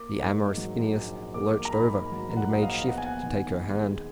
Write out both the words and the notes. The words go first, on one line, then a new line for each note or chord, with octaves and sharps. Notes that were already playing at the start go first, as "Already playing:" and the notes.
The amorous Phineas lurched over, and made shift to take her hand.
Already playing: A#3 D6
G#2
F#3
A#1
A#3 D6
A#5
G#2 B5
F#3
F#5
A#1 D#5
F5
B3 F#5
G#5
F#5
D#3
G#3